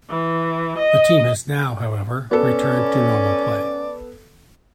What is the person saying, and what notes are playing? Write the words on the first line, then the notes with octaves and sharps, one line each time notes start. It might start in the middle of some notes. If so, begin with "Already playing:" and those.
The team has now, however, returned to normal play.
E3
D#5
B3 C#4 A4 D5